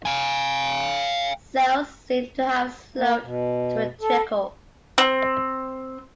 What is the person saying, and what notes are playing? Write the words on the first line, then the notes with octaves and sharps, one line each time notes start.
Sales seem to have slowed to a trickle.
F5 G#5
A#3
B2
A4
C4